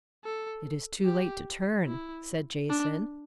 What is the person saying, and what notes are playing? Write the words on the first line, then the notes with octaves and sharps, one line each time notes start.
"It is too late to turn," said Jason.
A4
G4
E4
D4